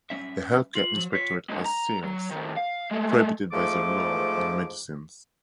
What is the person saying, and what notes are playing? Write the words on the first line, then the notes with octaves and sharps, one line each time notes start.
The Healthcare Inspectorate has sales prohibited by the Law on Medicines.
G3 C#4 E5
F4 F#7
F3 F#3
F4 C#5 B6
D3 G#3
A#5
F#3
A2 D#3
F5
G#3 A3
G#2 F3 A3 A4 D6